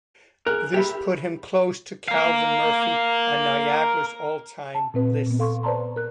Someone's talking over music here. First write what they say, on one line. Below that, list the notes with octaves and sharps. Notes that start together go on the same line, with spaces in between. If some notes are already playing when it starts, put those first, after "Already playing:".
This put him close to Calvin Murphy on Niagara's all time lists.
G#4 A#4 F#6
G4 E5 B5
A#4 F5
A5
A#2 C4 B4
A#2 B3
A4 F5 C6 C#6
B4 C5 D5 A5 A#5 C6
A#4 F#6